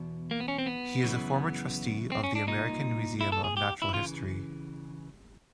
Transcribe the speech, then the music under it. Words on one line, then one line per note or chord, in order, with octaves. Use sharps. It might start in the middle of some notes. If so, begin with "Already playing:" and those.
He is a former trustee of the American Museum of Natural History.
Already playing: E2 B2
A#3
B3
C#4
C4
B3
F#2 C#3 E3
C4
C#4
D4
C2 A#2 D#4
E4
A4
G#4
G4
E4
C#3 E3 F4